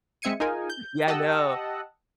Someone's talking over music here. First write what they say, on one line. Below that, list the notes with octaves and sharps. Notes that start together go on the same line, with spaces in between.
Yeah, no.
G#3 C4 E5 G#6 C#7 D#7
D#4 F4 G#4 A#4 G#5
G6
G4 D#5 F#5 G5 A5 E6